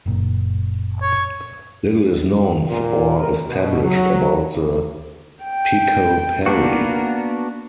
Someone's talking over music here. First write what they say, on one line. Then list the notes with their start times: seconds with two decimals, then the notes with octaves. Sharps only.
Little is known or established about the Pichal Peri.
0.06 F#1 A#2
1.02 C#5
2.68 A#2
3.17 A#4
3.46 B2
3.82 F#3
5.44 G5
6.46 A#3 B3 D4 F#4